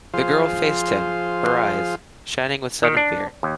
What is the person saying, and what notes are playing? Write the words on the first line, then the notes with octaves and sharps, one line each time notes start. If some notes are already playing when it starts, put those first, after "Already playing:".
The girl faced him, her eyes shining with sudden fear.
F3 F4 G#4 C5 F5
D#3
D4
D#2